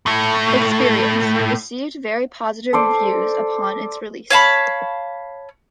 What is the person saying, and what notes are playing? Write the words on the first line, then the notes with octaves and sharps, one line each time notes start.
"Experience" received very positive reviews upon its release.
A2 A3
A4 C5 D5
C#5 F5 A5 B5